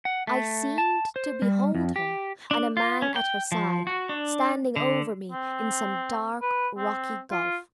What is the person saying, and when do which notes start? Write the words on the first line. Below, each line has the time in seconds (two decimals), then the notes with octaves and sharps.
I seemed to behold her and a man at her side, standing over me in some dark, rocky gulf.
0.05 F#5
0.27 A3
0.78 A5
1.16 C5
1.42 G3
1.75 F2
1.96 G4
2.51 D4
2.77 F4
3.02 C#4
3.16 G5
3.52 F3
3.87 F#4
4.09 D4
4.76 D3
5.31 C4
6.42 B4
6.77 C4
7.31 F4